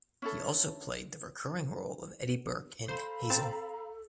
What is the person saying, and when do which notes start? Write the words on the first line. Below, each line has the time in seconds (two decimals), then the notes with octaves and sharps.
He also played the recurring role of Eddy Burke in "Hazel".
0.22 C#4 E4 A4
2.88 A4 C5 F5 A#5 B5
3.30 C4 A5